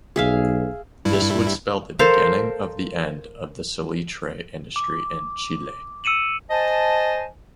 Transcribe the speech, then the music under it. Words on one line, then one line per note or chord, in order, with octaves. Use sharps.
This would spell the beginning of the end of the salitre industry in Chile.
B1 G#4 E5 F5
G2 G3 E4
A4 A#4 C5 F5
D6
E6 C#7 D#7 E7 F#7
C5 D#5 G#5 A5